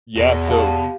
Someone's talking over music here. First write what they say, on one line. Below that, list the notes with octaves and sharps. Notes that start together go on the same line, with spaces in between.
Yeah, so,
E2 B2
G4 F5 A5